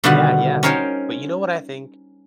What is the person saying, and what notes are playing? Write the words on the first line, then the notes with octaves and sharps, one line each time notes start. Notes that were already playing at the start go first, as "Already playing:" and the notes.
Yeah, yeah. But you know what I think?
B2 D3 D#3 G3 F4 F#4
C#4 D#4 A#4 C5 C#5 G5